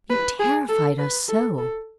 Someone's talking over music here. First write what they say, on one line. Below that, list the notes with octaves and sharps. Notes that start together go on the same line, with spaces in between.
You terrified us so.
B4
G#4
A4
B4
A4
A4